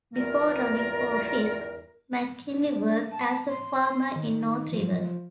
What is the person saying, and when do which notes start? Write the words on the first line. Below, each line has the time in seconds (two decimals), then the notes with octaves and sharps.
Before running for office, MacKinley worked as a farmer in North River.
0.16 E2 G2 F4 A#4
2.55 D4
3.11 A5
3.49 C6
4.16 D#3
4.72 F3